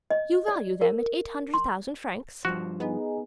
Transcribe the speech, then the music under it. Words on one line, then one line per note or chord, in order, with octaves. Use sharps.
"You value them at eight hundred thousand francs?"
D#5
D5
A#4
C6
G2 F3 F#4
B3 D#4 G#4